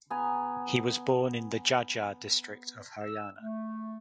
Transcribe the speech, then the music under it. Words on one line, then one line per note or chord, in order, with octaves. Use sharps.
He was born in the Jhajjar district of Haryana.
B3 G#5 A#5
E6
A3